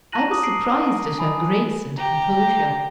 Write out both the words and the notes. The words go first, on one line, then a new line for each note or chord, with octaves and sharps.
I was surprised at her grace and composure.
A5 A#5 F#6 A#6 D#7 F#7
D6 D#6 F#7
C7 D7 F#7
D6
G#5 B5 D#6
G4 A#5